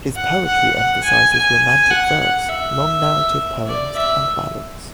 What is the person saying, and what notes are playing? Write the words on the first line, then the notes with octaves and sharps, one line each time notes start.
His poetry emphasizes romantic verse, long narrative poems, and ballads.
F#5
F#5
F#5
G#5
G#5
F#5
F#5
E5
D5
E5